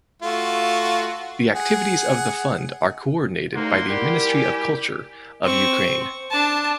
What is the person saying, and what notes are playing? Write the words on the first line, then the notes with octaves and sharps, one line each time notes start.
The activities of the fund are coordinated by the Ministry of Culture of Ukraine.
A3 F4 F#4
G#4 F#5
C2 G2 A3 A#3 D#4 F#5 C6
G3 E4 G4 A#4
G#5
C4 C#6
D4 A5